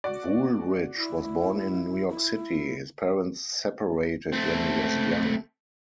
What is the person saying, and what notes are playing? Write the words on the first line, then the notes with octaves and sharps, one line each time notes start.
Woolrich was born in New York City; his parents separated when he was young.
F#4 D5
E4
E4
A3 C4